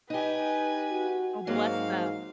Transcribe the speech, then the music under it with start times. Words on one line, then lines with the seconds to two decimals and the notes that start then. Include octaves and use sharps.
Oh, bless them.
0.10 D#4 G4 B4 G#5
0.91 F#4
1.47 G#2 F#3 A#3 C4 F5